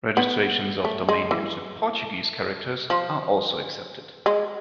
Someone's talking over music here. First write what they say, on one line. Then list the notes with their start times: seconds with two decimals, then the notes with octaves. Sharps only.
Registrations of domain names with Portuguese characters are also accepted.
0.17 B3
0.85 A3
1.09 G#3
1.31 E3
2.90 F3
4.26 G#3